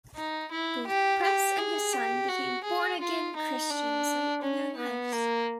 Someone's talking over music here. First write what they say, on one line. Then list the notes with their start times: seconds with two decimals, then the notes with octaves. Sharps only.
Both "Press" and his son became born-again Christians late in their lives.
0.16 D#4
0.52 E4
0.87 G4
1.23 G4
1.58 G#4
1.93 G4
2.29 F#4
2.64 G#4
3.00 F4
3.36 D#4
3.70 D4
4.42 C#4
4.78 B3
5.12 A#3